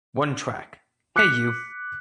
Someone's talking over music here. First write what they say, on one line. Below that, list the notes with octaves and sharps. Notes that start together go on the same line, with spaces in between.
One track, Hey You!!!
D6 F#6 B6 C#7